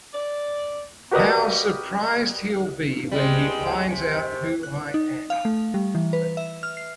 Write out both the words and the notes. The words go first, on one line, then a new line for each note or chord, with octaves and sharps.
How surprised he’ll be when he finds out who I am!
D5
F#4 G4 A#4 B4 D5 D#5
G3 G#3
C3
F#6
D#4
F5
A3
G3
E3
B4
E5
F6
C7